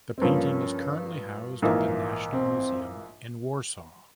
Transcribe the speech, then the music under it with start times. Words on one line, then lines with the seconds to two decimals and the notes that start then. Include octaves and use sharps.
The painting is currently housed at the National Museum in Warsaw.
0.18 C4
0.22 G2 F3 A#3 C#4
1.62 A#1 G#2 E3 A#3
2.33 C4